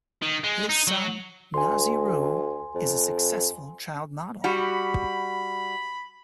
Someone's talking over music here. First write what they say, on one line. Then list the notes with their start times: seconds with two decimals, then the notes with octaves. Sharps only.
His son, Nahzi Rue, is a successful child model.
0.22 D#3
0.44 G#3
0.69 D#4
0.87 F#3
1.54 D2 G#5 C6
2.75 F2
4.44 G3 F#4 B5